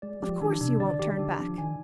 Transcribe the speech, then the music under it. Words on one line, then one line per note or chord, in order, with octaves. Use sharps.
Of course you won't turn back.
G#3 D5
F3 G4
D#3 D4
C3 D4
D3 D5
D#3 G4
D3 D4
F3 D4
D#3 G#5